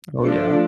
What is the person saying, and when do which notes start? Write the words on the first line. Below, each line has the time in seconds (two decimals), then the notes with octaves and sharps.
Oh, yeah.
0.22 F3 A3 D4 A4